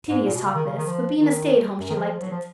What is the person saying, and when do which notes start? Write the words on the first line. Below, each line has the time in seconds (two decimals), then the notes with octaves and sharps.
Tedious talk this, but being a stay-at-home she liked it.
0.09 G#2
0.24 A#2
0.35 B2
0.45 C#3
0.55 D#3
0.66 C#3
0.77 D#3
0.86 F3
1.17 D#3
1.79 F#2
1.89 D#3
1.95 F3
2.11 F3
2.21 F#3
2.31 F3